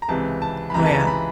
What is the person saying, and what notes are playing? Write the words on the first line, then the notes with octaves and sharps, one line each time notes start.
Oh, yeah.
A#5
C#2 C3 E3 A5
A5
B5
C#2 C3 E3 A#5
A5
A#5
B5